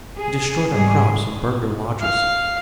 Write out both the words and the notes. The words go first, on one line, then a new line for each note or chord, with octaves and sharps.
He destroyed our crops, and burned our lodges.
G#4
G#2 G3 G#4
F5